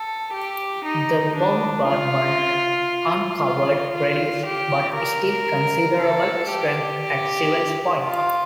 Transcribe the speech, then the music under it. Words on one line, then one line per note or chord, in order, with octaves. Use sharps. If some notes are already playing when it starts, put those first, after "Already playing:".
The bombardment uncovered reduced but still considerable strength at Sewells Point.
Already playing: A4
G4
D#4
D4
F4
F4
F4
G4
A#4
A4
G4
F4